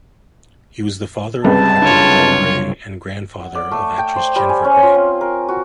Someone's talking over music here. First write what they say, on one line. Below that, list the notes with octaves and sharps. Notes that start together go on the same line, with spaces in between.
He was the father of actor Joel Grey and grandfather of actress Jennifer Grey.
C#2 C3 G3 B4 A5
F#1 C2 D4 F4 C#5
F#5
D5
A3
G5
C5
G3
G#5
C#4
F4
C4
A#4
F#4